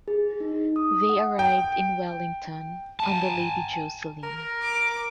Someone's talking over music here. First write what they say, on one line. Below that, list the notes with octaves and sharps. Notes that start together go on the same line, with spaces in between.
They arrived in Wellington on the "Lady Jocelyn".
G#4
D#4
D#6
F#5
G5
G#5 A5
A#4
D6